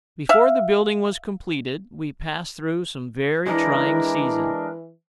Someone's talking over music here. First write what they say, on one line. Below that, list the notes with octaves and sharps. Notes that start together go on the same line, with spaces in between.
Before the building was completed we passed through some very trying seasons.
E5 F5
E3 G#3 D4 E4 A#4